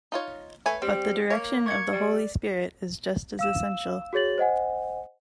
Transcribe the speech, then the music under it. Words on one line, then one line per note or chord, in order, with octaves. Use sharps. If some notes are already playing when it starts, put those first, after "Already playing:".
But the direction of the Holy Spirit is just as essential...
D#4 F4 C#5
A3 B4 C#5 G#5
G3 C4
A#3 C#5
C#6 G#6 C#7
G3 D5
F5 E6 E7
F#4 G#4 C#5 A6 F#7
C5 D#5 F#5 G#5